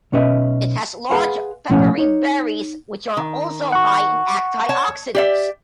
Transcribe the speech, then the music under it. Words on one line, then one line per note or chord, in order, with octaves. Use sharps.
It has large, peppery berries which are also high in antioxidants.
B1 B2 C#4 B4 D#5 E5
G#4 B4 F5 F#5 B5 C6
B1 A2 F3 C#4 C#5 F#5
D#4 C#5
D#3
F#5 C#6
C#5 A5
G4 D5 E5